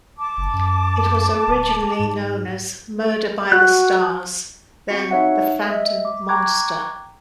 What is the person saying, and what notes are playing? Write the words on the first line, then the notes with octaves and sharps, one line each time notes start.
It was originally known as "Murder by the Stars" then "The Phantom Monster".
A5 D6
F#1
F#2
D1
G#2
F#4 F#6
C4 F#4 C#7
D#4 C#5 E5 F#5
D#5 E5
D6
G5 A#5 C#6 D6 F#6 G#6